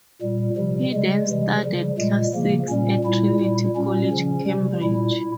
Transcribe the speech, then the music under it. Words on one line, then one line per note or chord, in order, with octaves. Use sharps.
He then studied Classics at Trinity College, Cambridge.
A#2 G3
C3 F3 G3
C#3 G3 G#3
C3 E3 G3
C#3 F3 G3
A#2 G3 G#3
C#3 F3 A#3
A#2 G3 C#4
A#2 G3 E4
A#2 G3
A#2 G3 C#4
C#3 F3
C3 G3
A#2 G3 E4